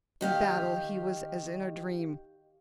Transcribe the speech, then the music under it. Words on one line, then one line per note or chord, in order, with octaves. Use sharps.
In battle he was as in a dream.
D#3 G4 F5